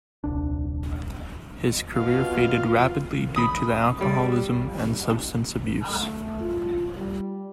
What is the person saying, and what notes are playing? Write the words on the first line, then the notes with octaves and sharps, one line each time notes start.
His career faded rapidly due to alcoholism and substance abuse.
D#1 C2 D4
B2 F4 F5
B5 D#6
G3 D5
A3
F4
G3